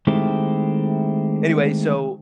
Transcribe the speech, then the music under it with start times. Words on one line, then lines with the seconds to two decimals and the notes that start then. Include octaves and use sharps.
anyway, so,
0.07 D#3 G#3 A3 C4 E4 G4